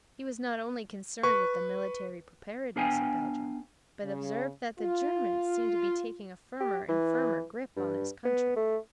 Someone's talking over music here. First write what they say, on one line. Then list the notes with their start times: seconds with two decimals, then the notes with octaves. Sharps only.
He was not only concerned with the military preparedness of Belgium, but observed that the Germans seemed to be taking a firmer and firmer grip on his country.
1.23 B4 C#6
2.76 B3 D4 G#4 F5 G5 G#5
4.03 C#3
4.79 F4
6.60 G4
6.89 E3
7.76 G2
8.25 B3
8.56 A3